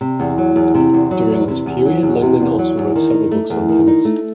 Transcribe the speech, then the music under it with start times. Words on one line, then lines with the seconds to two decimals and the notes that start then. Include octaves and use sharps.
During this period, Lenglen also wrote several books on tennis.
0.01 C3
0.20 E2
0.38 F#3
0.56 E2
0.74 C3
0.93 E2
1.11 F#3
1.30 E2
1.48 C3
1.66 E2
1.85 F#3
2.03 E2
2.22 C3
2.40 E2
2.59 F#3
2.77 E2
2.96 D#3
3.14 D#4
3.31 A3
3.50 E2
3.69 D#3
3.87 D#4
4.05 A3